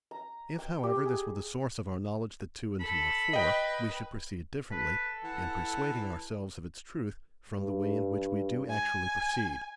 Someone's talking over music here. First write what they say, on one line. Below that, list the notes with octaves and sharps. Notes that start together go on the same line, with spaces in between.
If, however, this were the source of our knowledge that two and two are four, we should proceed differently, in persuading ourselves of its truth, from the way in which we do actually proceed.
A#5
G5
G4
G#4
A4 B5
B4 D#5 G5
A4 B4
E3 F#5
G2
G#5